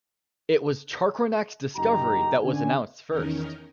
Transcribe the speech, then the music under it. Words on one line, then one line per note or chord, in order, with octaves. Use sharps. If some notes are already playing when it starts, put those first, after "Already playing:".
It was Chacornac's discovery that was announced first.
F#1 F#2 D#4 G4 A#5
D3 C#4 G#5
E2 D#3 C#4 D#4 A#4